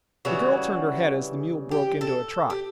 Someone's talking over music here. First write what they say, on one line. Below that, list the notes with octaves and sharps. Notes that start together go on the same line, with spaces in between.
The girl turned her head as the mule broke into a trot.
C#3 E3 G3 F#4
G4
A4
G4